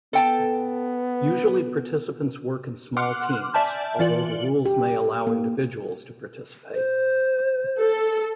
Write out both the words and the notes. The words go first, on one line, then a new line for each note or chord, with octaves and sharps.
Usually participants work in small teams, although the rules may allow individuals to participate.
B3 A4 G5 A5
F#5 C6 D6 F6 F#6
D5 E5 G#5 A5 F6 G6
E3 F4 D5 C#7 F#7
G4
A#3
C5
A4